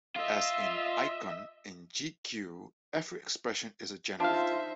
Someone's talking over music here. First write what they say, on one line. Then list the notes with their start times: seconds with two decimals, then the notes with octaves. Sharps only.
As in Icon, in jq every expression is a generator.
0.16 F4 D#5 E5
4.20 D4 D#4 F4 C5 E5 F5